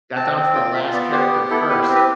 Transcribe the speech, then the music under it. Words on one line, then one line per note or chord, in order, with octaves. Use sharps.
got down to the last character first,
C4 A5
C4
F4 G5
F4 E5
B3 D5
G4 C5
B3
E4 A4
G4 B4
C5
C4
B4